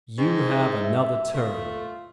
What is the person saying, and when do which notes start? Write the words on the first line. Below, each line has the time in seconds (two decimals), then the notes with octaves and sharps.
"You have another turn."
0.18 G#2 C4
0.83 E5
1.34 A3 F4